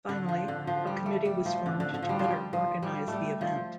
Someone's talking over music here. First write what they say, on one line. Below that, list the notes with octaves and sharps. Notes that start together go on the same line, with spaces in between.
Finally, a committee was formed to better organise the event.
D3
F3
D3
F3
G3
A3
G3
F3
D3
D3
D3
F3
G3
F3 G3
F3
G3
G3 A3
F3